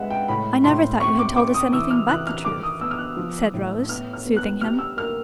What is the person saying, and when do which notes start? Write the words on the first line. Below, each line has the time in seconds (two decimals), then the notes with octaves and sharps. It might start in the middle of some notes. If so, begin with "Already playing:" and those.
'I never thought you had told us anything but the truth,' said Rose, soothing him.
Already playing: G#3 C4 B4 E5 F#5
0.10 G5
0.28 A2 B5
0.64 A2 C6
1.00 C4 C#6
1.19 D6
1.36 C4 D6
1.54 D#6
1.73 E3 E6
1.91 F6
2.09 E3 F#6
2.27 F6
2.45 D#3 D6
2.63 D#6
2.81 B3 E6
2.91 F6
2.98 F#6
3.17 F3
3.54 A2
3.89 B3 F6
4.13 F6
4.25 B3
4.37 F#6
4.61 G3 F6
4.79 E6
4.97 A#3 F6